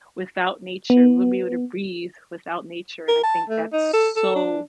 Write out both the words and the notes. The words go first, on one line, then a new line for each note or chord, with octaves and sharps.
without nature, we wouldn't be able to breathe without nature and I think that's so
B3
A#4
A5
A3
D#4
A4
A4
D4